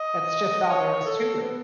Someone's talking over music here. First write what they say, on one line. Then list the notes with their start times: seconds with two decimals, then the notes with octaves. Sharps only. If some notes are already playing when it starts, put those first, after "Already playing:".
That's just all there is to it.
Already playing: D#5
0.70 C#5
1.06 A4
1.42 B3